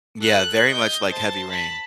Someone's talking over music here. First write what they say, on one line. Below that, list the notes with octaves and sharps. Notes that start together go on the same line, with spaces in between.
Yeah, very much like Heavy Rain.
A4 F#6
D#5 G6
C5 A5
A5 B5